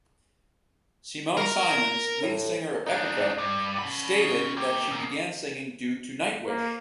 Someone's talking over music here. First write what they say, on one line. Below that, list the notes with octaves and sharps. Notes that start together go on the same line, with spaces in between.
Simone Simons, lead singer of Epica, stated that she began singing due to Nightwish.
A#4 A#5
A2
D4 D#4
G2
C#4 B5
A#3 G4
B2 A#3
A#3